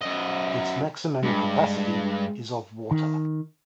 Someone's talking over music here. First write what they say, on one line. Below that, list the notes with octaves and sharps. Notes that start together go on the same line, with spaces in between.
Its maximum capacity is of water.
F#2 D#5
G2 G#3
D#3